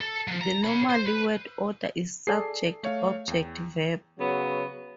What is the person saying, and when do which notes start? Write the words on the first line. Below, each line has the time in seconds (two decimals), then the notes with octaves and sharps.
The normal word order is subject-object-verb.
0.01 A4
0.28 F3 F#3
0.41 A#5
0.64 C#5 B5
0.90 C5
1.07 B4
2.27 G#4 A4 D5 C7
2.83 A3 C#5 F5
3.28 E2 G5
4.19 C#3 F#3 B3